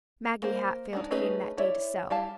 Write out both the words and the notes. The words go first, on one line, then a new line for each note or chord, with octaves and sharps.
Maggie Hatfield came that day to sew.
A#3 C5
G#3 D4 D#4
A3 C#4 D#4 G#4 B4
E4 C#5 D5 E5
G3 E4 F5 A5